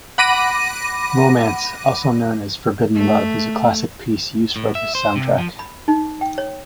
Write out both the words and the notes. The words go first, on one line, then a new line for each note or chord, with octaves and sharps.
"Romance", also known as "Forbidden Love" is a classic piece used for this soundtrack.
F#5 B5 D6 A#6 D#7
A3
A2
E5
C5
C3
F3
B5
D#4
G5
C#5